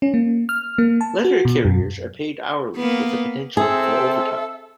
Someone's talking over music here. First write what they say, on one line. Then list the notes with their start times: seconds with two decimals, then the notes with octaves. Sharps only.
Letter carriers are paid hourly with the potential for overtime.
0.02 C#4
0.14 A#3
0.49 F6
0.78 A#3
1.01 A5
1.25 F#4
1.45 B2
1.65 F#2
2.76 A#3 B3
3.57 C4 G#4 A4 E5